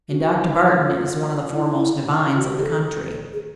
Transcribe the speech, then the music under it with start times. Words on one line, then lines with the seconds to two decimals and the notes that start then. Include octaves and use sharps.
And Dr. Barton is one of the foremost divines of the country.
0.10 F#4
0.82 F4
1.53 E4
1.64 D#4
1.75 E4
2.26 F4
2.37 F#4
2.49 G4
2.61 A4
3.33 G#4